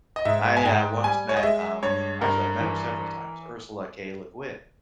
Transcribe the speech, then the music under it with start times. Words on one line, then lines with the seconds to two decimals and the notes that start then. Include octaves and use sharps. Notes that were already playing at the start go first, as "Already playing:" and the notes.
I, uh, once met, um actually, I've met her several times, Ursula K. Le Guin,
0.16 D#5
0.25 G#2 E5
0.57 G#5
0.65 G#2 G5
1.04 G3 G#5
1.29 C#5
1.37 D#5
1.43 G#3 E5
1.83 G2 C#5
2.21 G2 A#4
2.61 E3